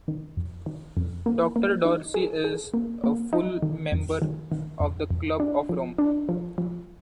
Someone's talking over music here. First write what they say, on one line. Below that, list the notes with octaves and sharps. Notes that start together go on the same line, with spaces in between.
Doctor Dorsey is a "Full member" of the Club of Rome.
D#3
F2
D#3
F2
A#3
A#3
D#4
G#4
G#4
A#3
A#3
D#4
D#3
F2
D#3
D#3
F2
F2
D4
F3
D4
F3
F3